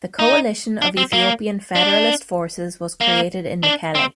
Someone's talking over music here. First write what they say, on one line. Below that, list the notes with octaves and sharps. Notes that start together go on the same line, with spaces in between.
The Coalition of Ethiopian Federalist Forces was created in Mekelle.
D#4
D4
C4
A#3
D4
A#3
D4
C4